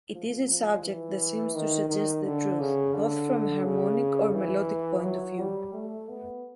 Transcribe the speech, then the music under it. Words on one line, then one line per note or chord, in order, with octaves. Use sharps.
It is a subject that seems to suggest the truth, both from a harmonic or melodic point of view.
F3
F3
E3
D#3
D#3
D3
C#3
D3
C#3
E3
F#3
G3
A3
B3